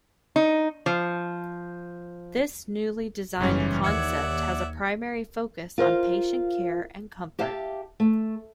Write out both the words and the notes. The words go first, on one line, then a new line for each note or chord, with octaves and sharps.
This newly designed concept has a primary focus on patient care and comfort.
D#4
F3
F#1 G#2 E3 G3 C#4
D#2 D5 E5 F#5 G#6 C#7
F4 A#4 C5 F5
G4 E5 F5 G5 A5
A3